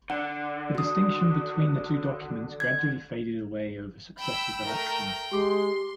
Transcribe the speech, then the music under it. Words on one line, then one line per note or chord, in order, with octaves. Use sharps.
The distinction between the two documents gradually faded away over successive elections.
D3 F#5
F#4 D#6
G#6
G5 B5 E6
A3 A#4
G#3 G4 C6 D6